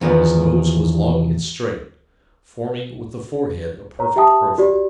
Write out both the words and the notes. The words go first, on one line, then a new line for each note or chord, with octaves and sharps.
His nose was long and straight, forming, with the forehead, a perfect profile.
E2 D#3 F3 B3
C#5 A#5
G4 E5 G5 A5 D#6
F#4 G4 D5